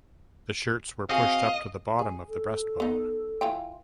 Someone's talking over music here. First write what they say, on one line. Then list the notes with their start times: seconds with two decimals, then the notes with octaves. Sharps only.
The shirts were pushed up to the bottom of the breastbone.
1.10 C4 F#4 G#4 D#5 F5
1.99 G#4
2.28 A4
2.80 B3 D#4
3.41 E3 F4 G5